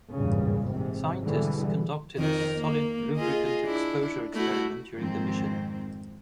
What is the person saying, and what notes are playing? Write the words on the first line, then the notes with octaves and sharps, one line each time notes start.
Scientists conducted a solid lubricant exposure experiment during the mission.
G#1 E2 G2 A#2 C#3
G#2 C3
B2 D3 E3 G3 G#3
F2 D#3 A#4
A#3
F4 G#4 D#5
D4 E4
A3 E4 F#4
F2 G#2 D#3 C4